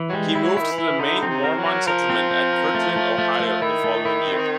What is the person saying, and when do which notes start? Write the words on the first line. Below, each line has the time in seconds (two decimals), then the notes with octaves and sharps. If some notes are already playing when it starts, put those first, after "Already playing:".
He moved to the main Mormon settlement at Kirtland, Ohio the following year.
Already playing: E3
0.09 F#3
0.12 G3 G#3
0.35 E4
0.43 F#3
0.57 D#3 E4
0.71 E3
0.78 E4
1.00 D3 D#4
1.23 C4
1.29 C3
1.44 A#4
1.58 F#3
1.66 A#4
1.87 F3 A#4
2.10 C4
2.31 C4
2.53 A#4
2.75 A3
2.96 A3
3.18 A3
3.40 A3
3.62 D#3 E4
3.84 A3
4.05 E4
4.27 C4